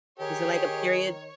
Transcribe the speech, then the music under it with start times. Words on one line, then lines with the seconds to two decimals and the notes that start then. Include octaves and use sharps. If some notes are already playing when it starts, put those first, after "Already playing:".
Was it like a period
0.20 D#3 G4 G#4 C#5